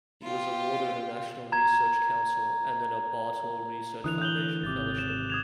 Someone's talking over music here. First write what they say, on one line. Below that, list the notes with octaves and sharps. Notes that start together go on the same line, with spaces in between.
He was awarded a National Research Council, and then a Bartol Research Foundation fellowship.
F4 G4
A#5 G#6
D3 E3 D#6 F#6 F7
G6 F#7 G7
G#1 C3 D6 A6
E7
D#6 G#6 F7